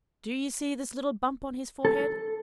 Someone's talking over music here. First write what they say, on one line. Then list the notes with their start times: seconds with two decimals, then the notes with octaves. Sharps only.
Do you see this little bump on his forehead?
1.85 A4